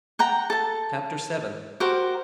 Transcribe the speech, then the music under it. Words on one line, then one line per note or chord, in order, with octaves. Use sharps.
Chapter VII.
F#5 G5 A#5
A4 A5
F#4 G4 A#4 C5